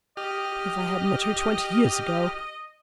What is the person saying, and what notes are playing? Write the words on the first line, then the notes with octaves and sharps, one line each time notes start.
If I had met her twenty years ago!
G4 D#5 F6